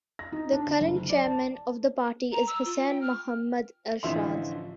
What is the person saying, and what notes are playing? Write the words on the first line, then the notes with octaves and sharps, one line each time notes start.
The current chairman of the party is Hussain Mohammad Ershad.
A#6
D#4
D4
D3
F#1
F#1
D5
A5
A#5
E6
F4
G5
F6
A1 D3 E3 F3 E5 C6